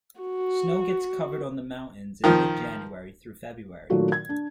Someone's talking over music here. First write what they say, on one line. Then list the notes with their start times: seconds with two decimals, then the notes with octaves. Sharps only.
Snow gets covered on the mountains in mid January through February.
0.21 F#4
2.24 D#3 F3
3.90 A#2 D#3 F#3 A3 F4 F#4
4.12 G#6
4.29 D4